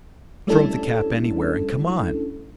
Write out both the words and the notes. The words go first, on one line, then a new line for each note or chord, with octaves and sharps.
"Throw the cap anywhere and come on!"
G3 A3 C#4 D4 E4 A4